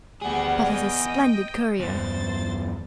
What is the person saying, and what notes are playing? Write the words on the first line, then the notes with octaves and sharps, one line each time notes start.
But he's a splendid courier.
D2 G3 B3 G#4 F#5
D#5 G5
E2 G2 C5 A6